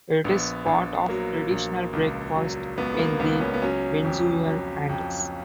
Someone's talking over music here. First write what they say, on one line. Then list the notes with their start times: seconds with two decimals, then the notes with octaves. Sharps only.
It is part of traditional breakfasts in the Venezuelan Andes.
0.24 A#1 B3
0.66 A#1
1.09 F#3 A#3
1.51 A#1
1.93 C#2
2.36 F#3
2.78 C#2 B3
2.94 B3
2.99 A#3
3.19 C#2 B3
3.41 C#4
3.54 B3
3.62 F#3 C#4
4.05 F2
4.47 F#3
4.89 F2